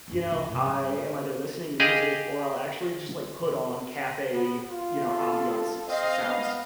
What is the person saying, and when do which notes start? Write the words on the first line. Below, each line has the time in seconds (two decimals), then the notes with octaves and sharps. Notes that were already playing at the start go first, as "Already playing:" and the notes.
you know, I am either listening to music or I'll actually just, like, put on café, you know, ambiance s s sounds.
0.08 C2 G2
0.31 C2 C#3
0.49 G#2 C3
0.66 G3
1.80 G4 G#4 D#5 F5
4.33 B3
4.69 F4
5.09 A4
5.88 C4 D#5 F5
6.23 B3